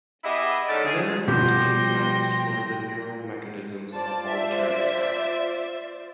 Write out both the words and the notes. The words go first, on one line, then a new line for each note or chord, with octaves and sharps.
Lin and her team then explored the neural mechanisms of voluntary attack.
B3 E4 G4 G#4 D#5 E5
G#2 D#3 A3 C#4 A4 D5
G#4
B2 F3 G3 G4 G5 C6 A#6
F4 C5 D5 A5
E5